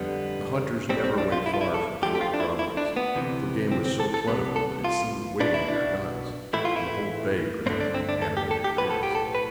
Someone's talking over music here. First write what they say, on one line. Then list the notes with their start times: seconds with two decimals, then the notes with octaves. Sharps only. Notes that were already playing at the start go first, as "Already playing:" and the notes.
The hunters never went far from Fort Providence, for game was so plentiful that it seemed waiting their guns, and the whole bay presented an animated appearance.
Already playing: F2 D3 G3 B3
0.89 B1 B2 G3 C4
1.04 C4
1.18 D4
1.32 F4
1.46 E4
1.54 F4
1.61 E4
1.74 A4
2.02 D2 D3 F3 A3 G4
2.15 G4
2.21 F4
2.34 D4
2.40 E4
2.59 E4
2.77 D4
2.96 B3
3.15 D2 C3 E3
3.71 C4
3.86 C4
4.00 A4
4.14 A4
4.28 C2 C3 G3 B3
4.56 A4
4.84 F4
5.40 B1 B2 B3 D4
5.54 E4
5.68 D4
6.53 A2 E3 A3 E4
6.65 F4
6.76 E4
7.66 G2 D3 A3 C4
7.81 D4
7.94 C4
8.09 D4
8.22 A4
8.37 G4
8.51 A4
8.64 G4
8.78 B1 A2 F3 B3 B4
8.91 A4
9.03 G4
9.15 A4
9.35 B4